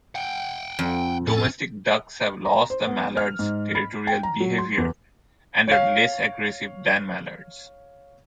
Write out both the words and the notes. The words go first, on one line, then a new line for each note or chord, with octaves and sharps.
Domestic ducks have lost the mallard's territorial behaviour, and are less aggressive than mallards.
F#5 G5
F2
A2 C#4 A4
A#5
C5
B3
F6
G#2
B5
G5
A#5
F#3
C6
E2
C#5 F5